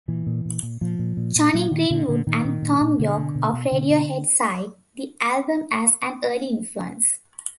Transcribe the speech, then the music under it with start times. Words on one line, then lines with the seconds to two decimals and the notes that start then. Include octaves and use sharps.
Jonny Greenwood and Thom Yorke of Radiohead cite the album as an early influence.
0.08 A#2 E3
0.27 A#2
0.45 A#2
0.63 A#2
0.81 A#2 F3
0.99 A#2
1.17 A#2
1.36 A#2
1.54 A#2 F#3
1.71 A#2 D#3
1.90 A#2 D3
2.08 A#2 D3
2.27 A#2 D#3
2.45 A#2
2.62 A#2
2.81 A#2
2.99 B2 D3
3.17 B2
3.35 B2
3.53 B2
3.71 B2 D3
3.90 B2